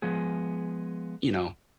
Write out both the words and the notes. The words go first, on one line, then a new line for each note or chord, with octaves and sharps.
you know,
F3 G#3 B3 G#4